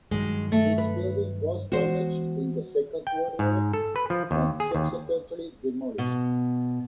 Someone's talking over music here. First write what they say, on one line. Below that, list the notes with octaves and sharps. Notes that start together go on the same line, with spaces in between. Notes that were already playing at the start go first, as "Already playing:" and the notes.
This building was damaged in the Second World War and subsequently demolished.
G2 D#3 F#3 G#3
A3
B4
E3 G#3 B3 F#4 C5
G5
G#2
A4
B4
F3
D#2
G#4
D#2
B2